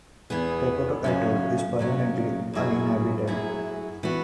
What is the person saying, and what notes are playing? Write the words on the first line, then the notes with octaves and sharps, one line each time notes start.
Tepoto Atoll is permanently uninhabited.
E2 E3 B3 G#4
F#2 C#3 F#3 C#4
F#2 C#3 F#3 C#4
F#2 F#3 E4 G#4
F#2 F#3 E4 G#4
E3 B3 F#4